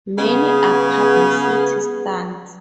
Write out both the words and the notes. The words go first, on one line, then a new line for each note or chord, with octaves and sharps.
Many are publicity stunts.
C#3 B3 C#4 G#4